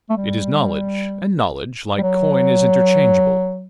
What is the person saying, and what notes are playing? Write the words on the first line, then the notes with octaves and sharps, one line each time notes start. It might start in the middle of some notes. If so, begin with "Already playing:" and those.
It is knowledge, and knowledge, like coin, is interchangeable.
A3
G3
G3
F#3